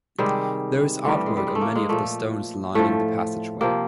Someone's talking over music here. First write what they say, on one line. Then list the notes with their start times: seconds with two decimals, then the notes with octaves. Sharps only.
There is artwork on many of the stones lining the passageway.
0.18 C3 D#3 G3 G#3
1.05 G2 E3 G3 A3
1.26 G#3
1.37 G3
1.47 G#3
1.55 A3
1.61 A#3
1.75 G#3
1.89 A#2 F3 A3
2.75 A2 F3 A3
3.61 C3 F3 A#3